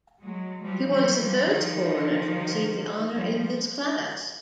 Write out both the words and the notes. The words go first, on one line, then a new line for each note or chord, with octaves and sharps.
He was the first foreigner to receive the honor in this class.
F#3 G#3
F3 G3
E3 F#3
F3 G3
D#3 F3
F3 G3